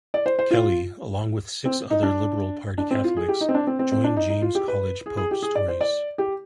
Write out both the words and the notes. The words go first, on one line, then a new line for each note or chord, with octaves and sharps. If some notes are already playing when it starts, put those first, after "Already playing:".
Kelly, along with six other Liberal party Catholics, joined James Colledge Pope's Tories.
D5
C5
C5
F4
C4
D#4
D4
D4
C4
F4
G#4
G4
D#4
C4
D4
C4
C4
C4
D4
D#4
D#4
F4
G4
B4
G#4
G#4
G4
G#4
D5
C5
D5
G4